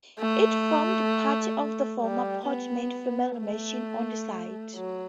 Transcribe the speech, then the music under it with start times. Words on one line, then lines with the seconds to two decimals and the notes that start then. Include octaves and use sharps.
It formed part of the former Portman family mansion on the site.
0.20 A3
2.02 G3
2.47 B3
3.39 A3
4.76 F#3